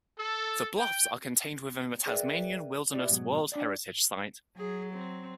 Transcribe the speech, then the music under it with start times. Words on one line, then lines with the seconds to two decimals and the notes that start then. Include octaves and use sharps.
The bluffs are contained within the Tasmanian Wilderness World Heritage Site.
0.18 A4
0.77 G5
2.06 G#4 A#4 B4 D5 E5 G5
2.94 E4 F4 G4 D5
3.09 G#2 B2 D#3 F#3
3.52 D4 D5
4.57 F#3 G#4
4.93 C4